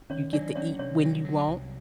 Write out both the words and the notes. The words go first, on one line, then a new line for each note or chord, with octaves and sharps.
you get to eat when you want
D#3 C#4 C#5
F#3 D4 D5
F#3 C#4 C#5
C3 C#4 C#5
F#3
F#3
C2